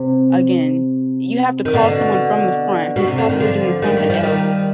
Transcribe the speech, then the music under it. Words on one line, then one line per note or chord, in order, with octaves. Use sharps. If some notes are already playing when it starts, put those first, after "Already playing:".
again, you have to call someone from the front who's probably doing something else
Already playing: C3
D#3
B2 D3
B2
C3
D3
D#3
D3 F3
D#3 G3
D#3
F3
D#3 G3